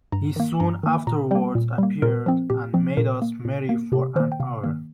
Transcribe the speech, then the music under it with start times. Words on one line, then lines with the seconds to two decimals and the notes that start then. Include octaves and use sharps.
He soon afterwards appeared and made us merry for an hour.
0.12 G2 A#5
0.36 D#3 A#3
0.60 G2 A#5
0.83 D#3 A#3
1.07 A#2 A#5
1.31 G3 A#3 G5
1.55 A#2
1.78 G3 A#3
2.02 A#2 A#4
2.26 F3 C4
2.50 A#2 G4
2.74 F3 C4
2.97 A#2 A#4
3.22 A#3
3.45 A#2
3.69 A#3
3.92 C3 G4
4.16 D#3 A#3 C5
4.32 G5
4.40 C3 F5
4.64 D#3 A#3